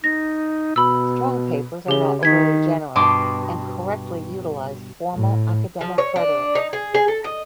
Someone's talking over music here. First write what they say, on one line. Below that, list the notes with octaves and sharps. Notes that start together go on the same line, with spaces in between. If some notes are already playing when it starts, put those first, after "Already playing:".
Strong papers are not overly general and correctly utilize formal academic rhetoric.
D#4 A#6
B2 B5 E6
C#3 G4 G7
D#3 G#6 B6
G2 B2 C6 D6 D#6
A2
F3
C#5
D4
D#4
G#4
G#4
A4
D#5